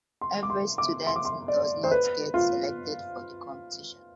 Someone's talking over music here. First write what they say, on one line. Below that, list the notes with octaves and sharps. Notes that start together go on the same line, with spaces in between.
Every students does not get selected for the competition.
C6
D6
C6
D6
C6
D6
C6
D5
C5
B4
F4